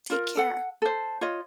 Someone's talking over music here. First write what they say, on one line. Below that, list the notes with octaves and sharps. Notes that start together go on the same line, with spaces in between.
Take care.
F4 A#4
A4 F#5
A4 C5
F4 C#5 D#5